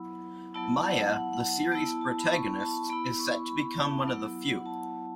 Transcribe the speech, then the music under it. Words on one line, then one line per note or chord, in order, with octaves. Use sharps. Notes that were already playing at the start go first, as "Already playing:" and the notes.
Maia, the series' protagonist, is set to become one of the few.
Already playing: F#3 B3 E4 B5
F#3 B3 E4 A5
F#5
F#5
F#5
F#5
B3 E4 A5
A5
B5
C#6
A5
B3 E4 B5
C#6
B5
A5
F#3 B3 E4
F#5
A5